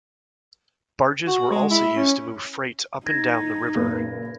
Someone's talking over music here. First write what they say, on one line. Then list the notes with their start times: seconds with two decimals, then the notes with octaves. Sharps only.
Barges were also used to move freight up and down the river.
1.27 F#4
1.51 G#3
1.70 E4
1.96 C#4
3.06 D#4 G#6 A#6
3.75 F#1 A#2 B4